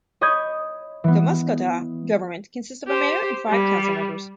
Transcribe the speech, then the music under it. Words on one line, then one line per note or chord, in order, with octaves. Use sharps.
The Muscotah government consists of a mayor and five council members.
C#5 D#5 B5 D#6 G6 G#6
E3 B3
G4 C5
G3